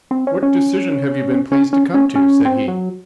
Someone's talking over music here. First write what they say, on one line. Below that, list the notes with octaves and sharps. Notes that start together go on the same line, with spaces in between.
"What decision have you been pleased to come to?" said he.
C4
C#4
C#4
C#4
C#4
C#4
C#4
C4
F#3